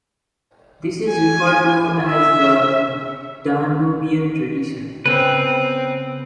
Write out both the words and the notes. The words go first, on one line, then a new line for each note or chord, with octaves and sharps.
This is referred to as the Danubian tradition.
G#5
E5
C#3 B3 C4 G4 B4 G5